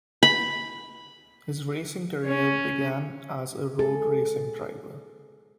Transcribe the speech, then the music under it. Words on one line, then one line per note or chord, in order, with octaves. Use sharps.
His racing career began as a road racing driver.
B5
C#4 C#5
G#4 A4